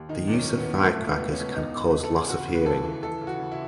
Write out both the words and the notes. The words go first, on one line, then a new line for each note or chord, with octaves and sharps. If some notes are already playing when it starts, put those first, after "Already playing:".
The use of firecrackers can cause loss of hearing.
Already playing: D#2
D#3 D#4
E2
C#4
D#3
B3
E2
B3
B2 A3
C#2
B3
C#2
C#4
B2
E2 D#4
E2
C#3 B4
A4
E2
G#4
C#3 F#4
C#3
B4
D#2 A4
E3
E3 A4
C#3
F#4
C#3
E4